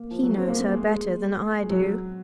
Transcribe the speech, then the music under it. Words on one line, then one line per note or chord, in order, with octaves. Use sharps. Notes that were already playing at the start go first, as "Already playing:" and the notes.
"He knows her better than I do."
Already playing: A#3
F3
F#3
C4
A#3
A#3
G#3
G#3
F#3